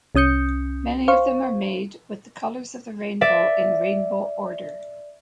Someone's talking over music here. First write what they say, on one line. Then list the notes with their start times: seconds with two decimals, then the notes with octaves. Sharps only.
Many of them are made with the colors of the rainbow in rainbow order.
0.15 C2 C#4 D#6 G6 C#7
1.08 C5 F5 C#6
3.21 D5 E5